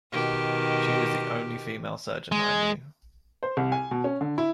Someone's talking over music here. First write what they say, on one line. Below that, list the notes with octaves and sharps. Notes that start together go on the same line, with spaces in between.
She was the only female surgeon that I knew.
B2 D#3 G4
G#3
C5
C2
G#5
B2
C#4
D3
E4